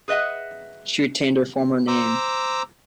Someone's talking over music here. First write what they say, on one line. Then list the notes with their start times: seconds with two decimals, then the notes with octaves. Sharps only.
She retained her former name.
0.08 G#4 B4 D#5 E5 F#5
1.88 C5 A#5 D6 E6